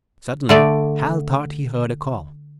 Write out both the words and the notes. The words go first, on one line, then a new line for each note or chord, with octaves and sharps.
Suddenly Hal thought he heard a call!
D3 A3 D5